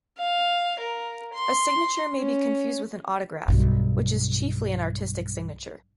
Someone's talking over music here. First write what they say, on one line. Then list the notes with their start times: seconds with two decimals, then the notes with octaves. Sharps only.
A signature may be confused with an autograph, which is chiefly an artistic signature.
0.18 F5
0.80 A#4
1.34 C6
2.18 C#4
3.48 B1 G2